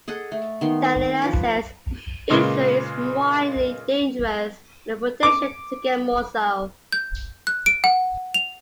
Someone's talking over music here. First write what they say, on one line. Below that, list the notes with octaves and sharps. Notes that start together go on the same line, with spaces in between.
Daniela says: Esther is mildly dangerous with the potential to get more so.
G#4 A4 D#5 F#5
A3
D#3 B3 C6
F3 B4 D6
A#2 C#3 G#3 A#3 B4 G7
D6
G6
F#6
D7
F#5
F7